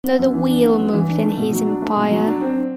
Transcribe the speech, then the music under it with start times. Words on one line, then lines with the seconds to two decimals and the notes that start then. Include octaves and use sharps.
Not a wheel moved in his empire.
0.04 B3
0.19 F#2
0.34 E3
0.48 D4
0.63 B3
0.78 F#2
0.93 E3
1.08 D4
1.23 A3
1.37 B2
1.53 F#3
1.67 D4
1.82 A3
1.96 B2
2.11 F#3
2.26 D4
2.41 C4